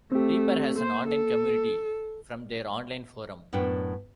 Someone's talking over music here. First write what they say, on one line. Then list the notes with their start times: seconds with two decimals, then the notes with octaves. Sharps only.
Reaper has an online community, from their online forum.
0.12 A3 C4 G4
0.79 A#3 C5
1.08 A4
3.53 F#2 A2 B3 D4 G5